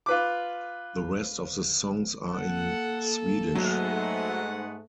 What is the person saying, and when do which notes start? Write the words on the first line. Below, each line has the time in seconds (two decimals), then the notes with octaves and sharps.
The rest of the songs are in Swedish.
0.06 F4 B4 D6
2.31 A#3 A4 F#5
3.55 G#2 F#3 G#3 A3 B3 F#5